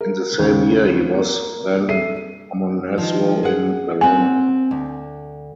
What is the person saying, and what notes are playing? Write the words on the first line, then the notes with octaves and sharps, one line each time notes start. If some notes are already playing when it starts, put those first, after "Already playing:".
In the same year he was then Amonasro in Verona.
A#4
D#2 C#3
A#3
A4 E5 C7 D#7
D#3 F3
G#4 F#5
C4 F#5 G#5
D2